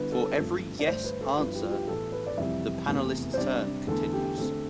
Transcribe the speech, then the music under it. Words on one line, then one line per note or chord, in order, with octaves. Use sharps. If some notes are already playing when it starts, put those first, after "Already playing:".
For every "yes" answer, the panelist's turn continues.
Already playing: D3 G3 B3 E4 B4
A4
G2 F3 A3 C4
D5
G2 D3 A3 C5
B4
A4
G2 F3 B3 E4 B4
G4
F4
G4
A2 E3 B3 A4
B4
D5
F2 C3 E3 G3 E5
E2 C3 E3 A3 E4
C5
C3 G3 D4 D5
E2 D3 A3 A4
G4
D3 A3 C4 A4